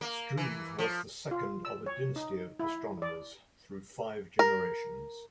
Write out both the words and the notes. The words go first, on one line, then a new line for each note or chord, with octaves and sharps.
Struve was the second of a dynasty of astronomers through five generations.
A#3
E3
F3
F4
E6
C#5
D#4
E4
D5
A#4